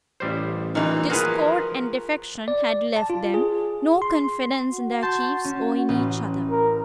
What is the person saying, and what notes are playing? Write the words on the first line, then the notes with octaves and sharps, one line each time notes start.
Discord and defection had left them no confidence in their chiefs or in each other.
A1 G3 C5
A#2 D#3 E3 D#4
F3 F#4 G#4 A#4 B4
D5
A5
F4
G#4
C6
F#4
A5 C6 G6
C#4
A1 B4
A#4